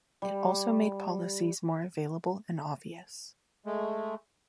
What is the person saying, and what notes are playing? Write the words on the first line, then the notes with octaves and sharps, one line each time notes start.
It also made policies more available and obvious.
G3
G#3 A3